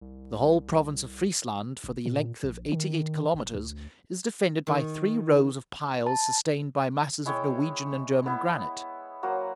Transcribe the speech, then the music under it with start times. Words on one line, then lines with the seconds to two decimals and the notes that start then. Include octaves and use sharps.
The whole province of Friesland, for the length of eighty-eight kilometres, is defended by three rows of piles sustained by masses of Norwegian and German granite.
0.01 C2
1.84 G1
2.06 A#2
2.43 A#1
2.72 D#3
3.34 E1
3.54 D2
4.67 D#3
6.06 A5
7.26 G#3 E4 C#5 G5
8.26 B3 E4
9.23 F#3 A#3 F#4 C5